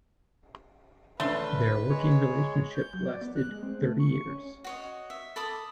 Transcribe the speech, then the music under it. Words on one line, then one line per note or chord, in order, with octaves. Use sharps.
Their working relationship lasted thirty years.
D3 A3 C#4 B4 C6
G#3 C#5
G6
F#3
D5
B3
F#6
G#3
C4
A3
C#6
C#4
F#4 C#5 D#5
E5
A4 B5 D6 D#6